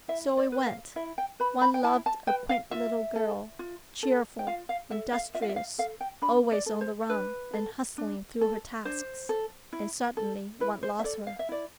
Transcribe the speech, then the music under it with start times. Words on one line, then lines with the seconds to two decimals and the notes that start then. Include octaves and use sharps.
So it went; one loved a quaint little girl, cheerful, industrious, always on the run and hustling through her tasks; and suddenly one lost her.
0.08 E4 E5
0.37 D5
0.52 B4
0.67 F5
0.96 E4 E5
1.18 G5
1.40 B4 B5
1.61 B5
1.74 G5
1.84 E4 A5
2.06 A5
2.27 B4 G5
2.49 F5
2.71 F4 E5
3.16 A4
3.59 F4
4.03 A4
4.39 G5
4.47 F4 F5
4.69 F5
4.90 A4 E5
5.13 F5
5.34 F4 E5
5.42 F5
5.49 E5
5.56 F5
5.78 A4 F5
6.01 G5
6.22 D4 B5
6.52 D5
6.66 A4
6.81 C5
7.09 D4 B4
7.53 A4
7.98 D4
8.41 A4
8.85 D4 C5
9.29 A4
9.73 E4
10.17 A4
10.60 E4 B4
10.83 C5
10.99 E5
11.04 A4 D5
11.27 F5
11.39 E5
11.49 E4 D5